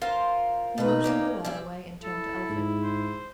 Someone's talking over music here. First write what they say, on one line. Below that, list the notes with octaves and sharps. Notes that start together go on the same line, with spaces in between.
He motioned the lad away, and turned to Elphick.
F4 A#4 C5
B2 D#4 B4
A#3 C#4 D5
G3 G#4 E5
E4 A4
G#2
C5